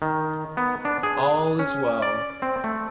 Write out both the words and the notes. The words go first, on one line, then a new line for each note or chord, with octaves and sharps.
All is well.
D#3
B3
D4
G#4
C#4
D5
C4
A3